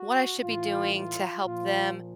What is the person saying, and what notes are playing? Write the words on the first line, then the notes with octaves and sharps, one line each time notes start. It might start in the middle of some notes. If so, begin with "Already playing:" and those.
what I should be doing to help them
Already playing: F#4
A2 E3 F4
F4
A#2 F3 F4